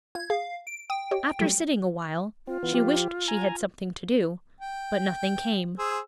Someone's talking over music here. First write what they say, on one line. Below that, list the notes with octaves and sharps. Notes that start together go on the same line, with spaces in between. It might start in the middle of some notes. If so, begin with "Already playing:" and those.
After sitting a while, she wished she had something to do, but nothing came.
F4 G#6
G#4 F5
D7
G5 D#6
G4 C#5 D#5
F#3 G3 A3
C4 F4
E3 B3
F3 G4
G#5 A#5
G5
G#4 C5 E6